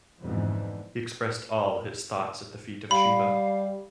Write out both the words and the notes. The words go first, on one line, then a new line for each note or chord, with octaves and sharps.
He expressed all his thoughts at the feet of Shiva.
F2 G#2 B2 D3 E3
G3 F5 B5